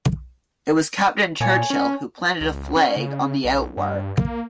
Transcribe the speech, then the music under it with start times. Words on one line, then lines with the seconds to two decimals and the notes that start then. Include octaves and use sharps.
It was Captain Churchill who planted a flag on the outwork.
1.40 A#2 C#5 G#5 A5
1.70 C#4
2.41 C#2
2.76 C#4
2.96 C#3
3.45 B1
3.77 G2
4.19 A#3